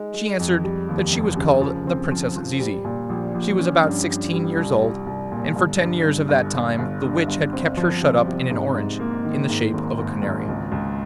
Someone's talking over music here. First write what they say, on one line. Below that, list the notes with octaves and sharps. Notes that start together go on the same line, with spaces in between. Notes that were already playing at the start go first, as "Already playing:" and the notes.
She answered that she was called the Princess Zizi; she was about sixteen years old, and for ten years of that time the witch had kept her shut up in an orange, in the shape of a canary.
Already playing: G#3 D#4
G#3
F2
G3
D#2
F1
C#3
F3
C4
F3
F3
G3
A#2
A#1
A#1
C#4
G2
G2
G3
C2
G3
C2
A#2
G1
G2
G1
G1
G1
G1
G2
G1
C4
F3
C3
C3
G#2
G#2
A#3
D#3
G#2
G#1
G#1
G#1
C#2
C#2